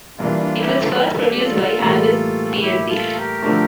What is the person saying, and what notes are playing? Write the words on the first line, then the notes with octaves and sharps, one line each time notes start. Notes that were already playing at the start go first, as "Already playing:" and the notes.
It was first produced by Alvis plc.
G2 E3 A#3 D4 F4
D4 F4
E4 G4
F4 A4
A#4
A4
G4
F4 A4
A2 E3 G3 A#3
E4 G4
F4 A4
G4 A#4
D3 F3 A3 D4